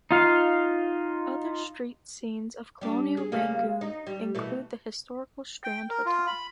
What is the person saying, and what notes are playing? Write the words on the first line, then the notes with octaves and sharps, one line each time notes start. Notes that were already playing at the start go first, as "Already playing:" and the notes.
Other street scenes of colonial Rangoon include the historical Strand Hotel.
D#4 F4 F5
G3 D4
G#4
C#3 G3 A#3
D#4
G3
B2 E3 A3
G5
A#4
F4
B5